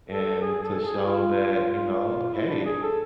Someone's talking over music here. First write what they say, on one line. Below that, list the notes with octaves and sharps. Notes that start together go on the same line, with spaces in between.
and to show that, you know, "Hey,
A4
G#4
A4
G#4
F4
E4
D4
G#4
A4